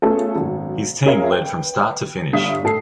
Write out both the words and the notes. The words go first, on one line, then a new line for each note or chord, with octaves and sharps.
His team lead from start to finish.
A3 B3 C#4 F4 G#4 A4
G#1 F#2 B2
C#4 G#4 A#4 C#5 E5 F5
B4 G5
G1 G2 E5 F5 D#6 B6
A2 A4 C7